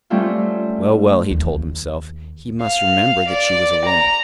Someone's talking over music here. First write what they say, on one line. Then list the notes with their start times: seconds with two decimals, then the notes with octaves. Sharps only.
Well, well, he told himself, he must remember that she was a woman.
0.10 G3 A3 C4 C#4 F4
1.31 D#2
2.61 F5
3.27 D5
3.85 A#5